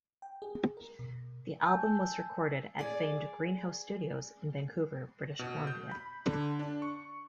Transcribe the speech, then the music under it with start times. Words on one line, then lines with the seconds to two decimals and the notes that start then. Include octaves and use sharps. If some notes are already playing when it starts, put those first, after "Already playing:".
The album was recorded at famed Greenhouse Studios in Vancouver, British Columbia.
0.22 G5
0.42 G#4
0.77 A#4
0.99 B2
1.61 G#5 A5 E6 G6
2.79 G#4 D5
5.39 B2
5.67 G6
5.91 B5
6.26 D3
6.59 D4
6.82 C#6